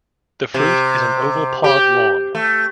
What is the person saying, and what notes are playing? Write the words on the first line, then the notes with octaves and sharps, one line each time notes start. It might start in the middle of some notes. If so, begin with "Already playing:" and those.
The fruit is an oval pod long.
C3
G4
A3